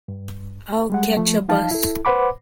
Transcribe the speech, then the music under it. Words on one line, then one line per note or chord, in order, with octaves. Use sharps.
I'll catch a bus.
G2
G3 G#3 F#5
F3 A3
E3 F3 D#4 F5 A5
E4 A4
B4 C5 F#5 B5 D6